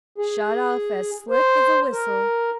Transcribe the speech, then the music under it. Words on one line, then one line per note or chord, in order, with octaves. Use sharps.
Shot off as slick as a whistle.
G#4
C5
A#4